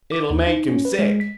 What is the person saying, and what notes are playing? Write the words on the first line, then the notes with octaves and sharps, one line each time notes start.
"It'll make him sick."
D6
D#2
D#4
C#4
B4
G#3
B6